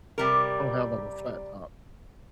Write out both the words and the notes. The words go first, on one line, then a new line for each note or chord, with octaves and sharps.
I don't have, like, a flat top,
C3 G3 A#4